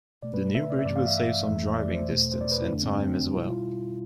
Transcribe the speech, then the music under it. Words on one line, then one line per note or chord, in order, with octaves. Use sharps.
The new bridge will save some driving distance and time as well.
B2 A3 D5
B4
E5
D5
E5
G2 E3 A3 D5
F5
E5
E5
F2 E3 A3
D5
C5
E2 B2 A3
C5
D5
B4
E4
F2 D3 A3 D4
C4
D4
C4
C4
B2 G3 E4
F4